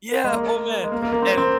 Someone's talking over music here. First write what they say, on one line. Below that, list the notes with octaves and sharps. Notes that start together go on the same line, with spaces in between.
Yeah, oh man, and
G#3
A#3
G#3
A#3
A#3
A#3
C4
C4